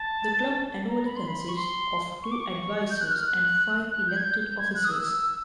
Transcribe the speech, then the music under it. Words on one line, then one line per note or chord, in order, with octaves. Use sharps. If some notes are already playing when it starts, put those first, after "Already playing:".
The club annually consists of two advisers and five elected officers.
Already playing: A5
A#5
B5
C6
B5
C#6
C6
C#6
D6
C#6
G6
F#6
F6
F#6
F#6
G6
G#6
G6
G6
G#6
F#6
D#6
E6